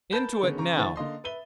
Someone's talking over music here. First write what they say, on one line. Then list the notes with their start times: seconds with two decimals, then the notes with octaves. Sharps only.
Into it, now!
0.12 A#4 B4 A5 B5 G6 A6
0.43 D3 D#3 G#3 B3 C#4
0.57 C#3 A#5 C#6
0.76 D3 E3 E4 C5 C#6 A6
0.96 D3 A#3 D#5 C6
1.24 B4 E5 D#7 G7